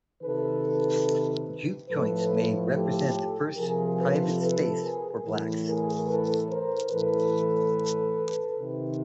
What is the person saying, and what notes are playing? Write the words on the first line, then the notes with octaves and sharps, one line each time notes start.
Juke joints may represent the first "private space" for blacks.
C3 D#3 A4 B4
A2 F3 A4 B4
G4 A4
C3 F3 G#4 A#4
A4 B4
A4 B4
G#4 A#4
A2 E3
G#4 A#4
A4 B4
A#4 C5
A2 E3 A4 B4
C3 D#3